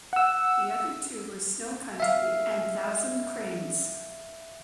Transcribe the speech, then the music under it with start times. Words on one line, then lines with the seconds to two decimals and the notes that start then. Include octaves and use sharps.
The other two were "Snow Country" and "Thousand Cranes".
0.13 F#5 E6
2.00 E5 F5